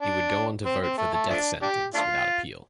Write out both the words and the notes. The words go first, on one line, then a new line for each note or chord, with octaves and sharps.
He would go on to vote for the death sentence without appeal.
D4
C4
C4
A3
A3
F3 A3 D4
D4 G4
A3 D4 F4